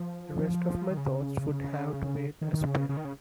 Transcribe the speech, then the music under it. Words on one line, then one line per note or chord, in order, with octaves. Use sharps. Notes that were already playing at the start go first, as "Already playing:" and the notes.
The rest of my thoughts would have to wait a spell.
Already playing: F3
D#3
C#3
D#3
D#3
C#3
C#3
D#3
C#3